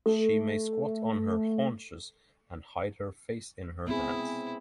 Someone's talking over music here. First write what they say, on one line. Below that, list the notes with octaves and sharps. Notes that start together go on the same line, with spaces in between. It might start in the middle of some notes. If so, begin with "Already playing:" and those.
She may squat on her haunches and hide her face in her hands.
A3 A4
B3 C4 E4 G#4